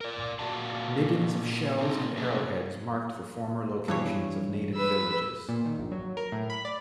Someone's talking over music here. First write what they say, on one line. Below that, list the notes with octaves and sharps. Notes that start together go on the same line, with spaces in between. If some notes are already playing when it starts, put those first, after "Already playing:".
Middens of shells and arrowheads marked the former locations of native villages.
A#4 D5
A#2 F#4 D5 F5 A5
C4 D#4
C3 F#3 A#3 C#4 G#4
G2 E3 C#5
B4 E6
A#2
D#3
A#1
F#3
A#4
A2
B5
D5